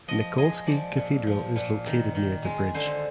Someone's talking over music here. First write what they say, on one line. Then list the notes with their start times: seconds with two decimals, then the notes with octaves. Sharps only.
Nikolsky Cathedral is located near the bridge.
0.08 F3 D#5
0.38 G#3 D#5
0.66 F3 D5
0.96 A#2
1.27 F3
1.56 A#2
1.86 D#3
2.15 D#3
2.44 G#3
2.74 D3 C5